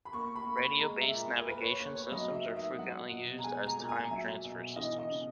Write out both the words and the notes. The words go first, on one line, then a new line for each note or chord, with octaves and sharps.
Radio-based navigation systems are frequently used as time transfer systems.
B5
A#3 C#6
B5
A#3
B5
G#3 A#5
E5
A#2
A#4
A#3 B4
C#5
A#3 C#5
C#5
F#3 D#5
E5
D#3
E5
F#3 F#5
B2
A#5
G#3 G#5
A#5
A#2
G#5
F#3 E5
B2
E3 D#5
D#5
C#3